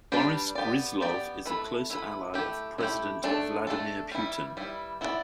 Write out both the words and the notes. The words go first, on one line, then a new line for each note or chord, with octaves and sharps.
Boris Gryzlov is a close ally of President Vladimir Putin.
G3 D4 G4 B4 D5
B3 G4 D5
B3 G4 D5
A3 E4 B4
A3 E4 B4
A3 E4 G4
A3 E4 G4
A3 D4 A4
A3 D4 A4
G3 E4 B4
G3 E4 B4
B3 E4 A4 D5